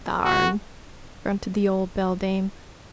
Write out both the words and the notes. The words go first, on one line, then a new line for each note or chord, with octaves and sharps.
"Garn!" grunted the old beldame.
F#4